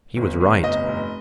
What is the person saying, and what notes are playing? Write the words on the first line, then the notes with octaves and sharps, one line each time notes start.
He was right.
G1
G1
F1 D#5
F1